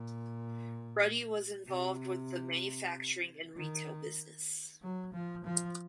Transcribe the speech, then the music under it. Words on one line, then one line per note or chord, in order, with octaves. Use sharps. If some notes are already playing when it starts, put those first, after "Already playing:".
Ruddy was involved with the manufacturing and retail business.
Already playing: A#2
C3
D#3
F#3
F3
F3